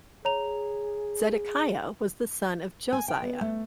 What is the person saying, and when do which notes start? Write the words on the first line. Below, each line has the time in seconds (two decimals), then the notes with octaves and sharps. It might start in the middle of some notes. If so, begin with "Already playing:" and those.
Zedekiah was the son of Josiah.
0.25 G#4 C#5 A#5 F7
2.93 G#5
3.08 G5
3.23 B3
3.41 A3